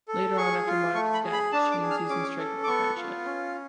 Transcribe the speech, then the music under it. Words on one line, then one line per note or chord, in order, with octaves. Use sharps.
Later on after Mark's death, she and Susan strike up a friendship.
A4
G#4 C#6
F4
A3 C#6
B5
G#4
B5
D4 A5
D6
G#4
F6
C#4 D6
A4
D6
B3 C#6
F4
C#4